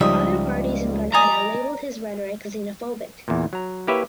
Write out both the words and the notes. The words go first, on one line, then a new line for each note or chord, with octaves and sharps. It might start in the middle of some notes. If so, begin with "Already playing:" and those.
Other parties in Granada labelled his rhetoric xenophobic.
C#2 F3 G3 D#4 D#5 E5
D5 D#5 G#5 A#5
E2 A#2
F#3 A#5
A#3 E4 G4 B4 C#5 E5